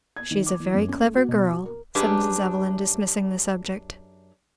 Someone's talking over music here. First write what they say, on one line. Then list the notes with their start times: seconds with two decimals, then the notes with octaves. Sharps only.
"She's a very clever girl," said Mrs. Evelyn dismissing the subject.
0.17 G#6
0.31 D#3
0.46 D6
0.60 E3
0.74 F#2
0.88 C#4
1.02 A3
1.14 F#4
1.28 B2
1.50 F#4
1.65 A#4
1.95 F#2 D4 G4 G#4 B4